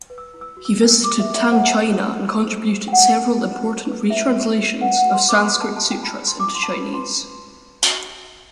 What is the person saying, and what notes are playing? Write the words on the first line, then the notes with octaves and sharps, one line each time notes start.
He visited Tang China and contributed several important retranslations of Sanskrit sutras into Chinese.
B4
E6
E4
E6
F#4
E6
D4
E6
G4 D6
E5
D4
E5
C5 F#5
A5
F#4 G5
A4
D4
C5
F#4
G5
G4 F#5
D4
A4
F#4
B4
E4 E5
A4
F#4
B4 F#5
F#5
F#4
C6
B4 D6
C6
B5
F#4
A5
G4 A5
G5
D4 B5
A5
A4 C6
D6
E4
C6
A5
B4 B5
F#4 C6